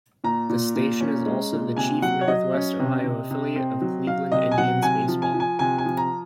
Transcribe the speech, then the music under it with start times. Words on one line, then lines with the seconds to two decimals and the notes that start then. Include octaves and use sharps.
The station is also the chief Northwest Ohio affiliate of Cleveland Indians baseball.
0.24 A#2 A#5
0.49 A#2
0.76 A#2
1.00 C#4
1.26 G#3
1.52 A#2
1.77 C3 G#5
2.02 F#3 F#5
2.21 C#5
2.28 F#3 D#5
2.54 C#4
2.79 C3
3.04 C3
3.31 C3
3.56 C4
3.81 F#3
4.07 F#3 F5
4.32 C3 D#5
4.52 G#5
4.58 F#3 F#5
4.83 C3 G#5
5.08 F3
5.22 G#5
5.34 F3
5.40 G#5
5.59 C3 G#5
5.78 G#5
5.85 F3
5.97 A#5